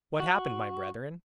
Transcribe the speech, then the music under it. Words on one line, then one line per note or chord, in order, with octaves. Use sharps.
What happened, my brethren?
F#4